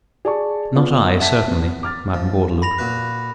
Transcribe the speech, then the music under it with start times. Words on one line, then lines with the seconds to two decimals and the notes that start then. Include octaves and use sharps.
"Not I, certainly, Madam Gordeloup."
0.25 G#4 D5 A5 C#6
0.75 B3 F4 D5
1.20 E5 F#5 A5 B6
1.47 B3
1.83 D6 F6 A6
2.14 F3
2.62 B5 A#6 F7
2.78 A#2 F#4 B4